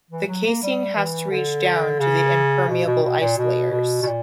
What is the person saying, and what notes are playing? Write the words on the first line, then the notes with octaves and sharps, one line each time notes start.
The casing has to reach down to the impermeable ice layers.
E3
F#3
A#3
G3
E3
D3
C#3
B2
B2
B2
A#2
B2
B2
B2
A#2